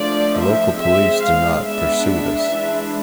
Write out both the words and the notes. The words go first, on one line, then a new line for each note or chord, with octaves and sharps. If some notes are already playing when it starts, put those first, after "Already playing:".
The local police do not pursue this.
Already playing: F3 A3 D4 D5
E5
G#3 C4 E5
F5
G#3 B3 D4 E5
E5
E3 G#3 D4